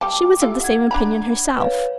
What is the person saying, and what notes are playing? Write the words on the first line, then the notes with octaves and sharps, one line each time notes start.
She was of the same opinion herself.
G3 G5 A5 D6
E4 F4 G4 A4
F#5 G#6
D4 A#5 B5
B4 C#5 F5